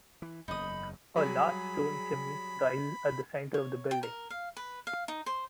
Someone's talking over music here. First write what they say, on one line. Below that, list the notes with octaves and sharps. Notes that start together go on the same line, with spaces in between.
A large stone chimney rises at the center of the building.
E3
F#1 E2 D#4 B5 D#6
F#3 G3 G#4 B5
C#5
G5
A#4
F5
B4
F5
D#4
C5